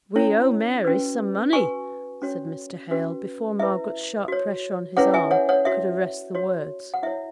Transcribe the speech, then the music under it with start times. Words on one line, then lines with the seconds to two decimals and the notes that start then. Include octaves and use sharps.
'We owe Mary some money,' said Mr. Hale, before Margaret's sharp pressure on his arm could arrest the words.
0.16 C#4 E4 C#5
0.85 C#4 F#4 B4
1.53 F#4 B4 G#5 C#6
2.22 C#4 F#4 C#5
2.91 C#4 F#4 B4
3.59 E4 B4 E5
4.28 F#4 C#5
4.97 C#4 E4 G#4 B4 C#5 F#5
5.14 E5 G#5
5.31 C#5 F#5
5.49 C#5 F#5
5.65 F#4 C#5 E5
6.35 F#4 C#5
6.94 F#5
7.03 E4 C#5 E5